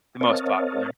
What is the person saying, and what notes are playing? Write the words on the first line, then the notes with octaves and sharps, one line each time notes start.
the most popular.
C4 A#4 C#5 D#5 F5 A5